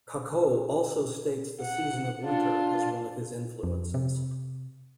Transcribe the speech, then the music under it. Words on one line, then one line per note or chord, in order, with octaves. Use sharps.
Kakko also states the season of winter as one of his influences.
F#5
D4 F4
F2
C3